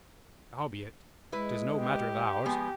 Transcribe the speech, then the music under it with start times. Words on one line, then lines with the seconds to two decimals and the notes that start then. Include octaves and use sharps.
Howbeit, 'tis no matter of ours.
1.32 G#3 E4 B4
1.80 G4
2.46 F3 G#3 B3 G#5